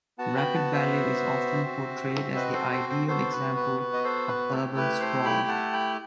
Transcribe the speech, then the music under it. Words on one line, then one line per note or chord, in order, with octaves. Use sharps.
Rapid Valley is often portrayed as the ideal example of urban sprawl.
B3 F#4 F#5 A5
G5 B5
F#5 A5
C5 E5
C4 F#4
B4 D#5
A4 C5
A4 C5
A4 C5
B3 F#4 A4 C5
B4
B4
B4
D#5
A4 C5
B4
A3 E4 G4 A4
B4
A4 C5
G5 B5
F#5 A5
G5 B5